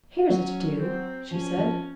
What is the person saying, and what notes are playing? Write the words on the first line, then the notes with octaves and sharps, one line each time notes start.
"Here's a to-do," she said.
F#3 C#4
C4
F3 C#4
F3